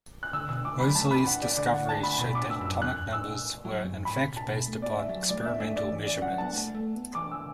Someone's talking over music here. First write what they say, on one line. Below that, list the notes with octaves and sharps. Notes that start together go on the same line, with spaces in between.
Moseley's discovery showed that atomic numbers were in fact based upon experimental measurements.
F#6
D3 E6
B2 E6
D3 D6
F#3 B5
A3 A5
D3 B5
A2 F#5
D5
D3 D5
F#5
A5
B5
B2 B5
A2 D6
E6
F#2 E6
E2 F#6
F#2
A2 E6
B2
F#3
F#2
A2 B5
B2
A5
B2
A3
B3 D5
A3
E5
F#3
A3 D5
B3 E5
A3 E5
A3 D5
E3 D5
D5
F#3 F#5
B3 A5
A3
A3
B3
E3 D6
D3 E6